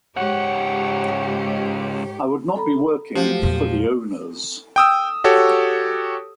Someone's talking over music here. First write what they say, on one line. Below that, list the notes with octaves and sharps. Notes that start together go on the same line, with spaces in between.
I would not be working "for the owners".
C#2 G#2 G4 C#5 F#5
A4 A#5 B5
F3 F#3 A3 F#4 G4
E2 A#2
G5 D#6 E6
F#4 G4 A4 C#5